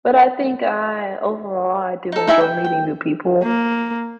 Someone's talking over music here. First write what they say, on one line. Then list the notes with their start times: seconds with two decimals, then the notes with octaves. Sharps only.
But I think I overall, I do enjoy meeting new people.
2.12 D#4 A4
2.27 D#4 E4 E5 G#5
2.41 G5
2.65 G5
3.43 A#3